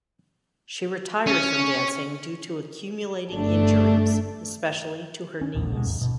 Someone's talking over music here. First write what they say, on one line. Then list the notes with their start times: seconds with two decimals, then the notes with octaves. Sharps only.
She retired from dancing due to accumulating injuries, especially to her knees.
1.27 C#4
3.32 G1 A3 D4
5.41 C#4
5.55 D#1 A#1 E2 A2
5.73 B2 G#3
5.85 D#2 G#2
5.99 D#1 B2